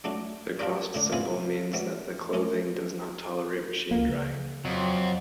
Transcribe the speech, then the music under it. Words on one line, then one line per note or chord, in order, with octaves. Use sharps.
The crossed symbol means that the clothing does not tolerate machine drying.
F#3 A3 D4 D#4
D4 F4 G4 A#4 D5
A2 D3 D4
B3 C4 E4 F4 G#5 B5
E3 F#3 G3
A3 C#4
C#2 A#3
C#3
F2 F#3